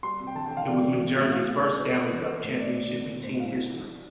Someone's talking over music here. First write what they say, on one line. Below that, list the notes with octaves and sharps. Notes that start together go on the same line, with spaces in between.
It was New Jersey's first Stanley Cup Championship in team history.
G3 C6
C3
G5
D3 A5
G5
D3
F5
E3 D5
B3
E3
A2
E5
E4 F5
E4 F5
G3 D5
B3 B4
D5
G3 C5
E3 B4
D4 B4
A2 C5
B2 D5
B2 D5
D3
D3
A2 C5
E4 F5
E4
F3
D4